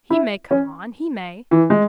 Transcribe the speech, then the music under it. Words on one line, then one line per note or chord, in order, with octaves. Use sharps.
He may come on--he may.
E4
C#4
E3
G#3